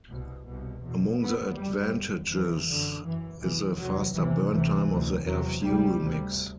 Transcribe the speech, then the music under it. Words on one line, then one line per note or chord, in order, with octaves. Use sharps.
Among the advantages is a faster burn time of the air-fuel mix.
C2 B2
C2 B2
E2 B2
F#2 B3
F#2 G3
F#2
E2 C3 E3
F#2 D3
F#2 E3
C2 B2 E3
E2 C3 F#3
C2 C3 E3
D2 C3 E3
D2 C3
E2 C3 F#3
D2 C3 G3
D2 C3